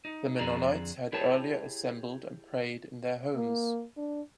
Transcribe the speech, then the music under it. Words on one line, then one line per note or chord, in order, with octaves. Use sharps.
The Mennonites had earlier assembled and prayed in their homes.
D#4
F2 D3 C4 G#4 D5 A#5
E4 G4 G#4 C#5 A5
A#3
D4